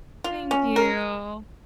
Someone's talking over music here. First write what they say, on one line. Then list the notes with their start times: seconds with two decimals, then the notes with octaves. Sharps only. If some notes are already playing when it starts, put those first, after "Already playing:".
Thank you.
0.24 F4
0.51 C#4
0.76 A#4